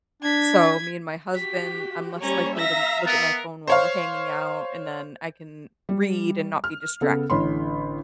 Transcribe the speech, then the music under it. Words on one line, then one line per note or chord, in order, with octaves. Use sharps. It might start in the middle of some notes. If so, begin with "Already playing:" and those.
So, me and my husband I'm less likely to m look at my phone while we're hanging out, and then I can read and not be distracted.
D4 G#6 B6
F#4 G4 B6
G3 A#3 C#4 C#5 A#5
E5 F5 A#5 A#6 B6
B3 A#4
C5 C#5 F5
G3
F6
C#3 B3 A4
A1 D3 C#5 B5 C6